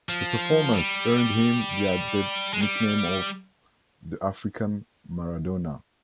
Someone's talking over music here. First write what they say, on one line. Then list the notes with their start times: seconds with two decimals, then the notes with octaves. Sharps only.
The performance earned him the added nickname of "The African Maradona".
0.09 F3
0.73 G3
2.53 G#3
2.62 G3